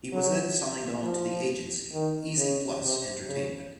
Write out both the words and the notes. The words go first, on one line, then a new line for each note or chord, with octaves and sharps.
He was then signed on to the agency "Easy Plus Entertainment".
F#3
F3
D#3
C#3
C3
C#3